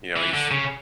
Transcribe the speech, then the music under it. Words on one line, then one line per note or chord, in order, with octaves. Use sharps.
you know, he's,
E3
D3
C#3